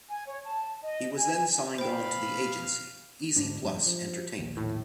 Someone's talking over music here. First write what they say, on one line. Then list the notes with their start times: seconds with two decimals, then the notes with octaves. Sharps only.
He was then signed on to the agency "Easy Plus Entertainment".
0.08 G#5
0.26 C#5
0.44 A5
0.82 D#5
1.15 G#5
1.78 B2 C5 F5 G5 B5
3.36 D2 G#2 D4
3.63 F1 A#1 G2
3.86 F3
4.38 A#1 D#2
4.57 A2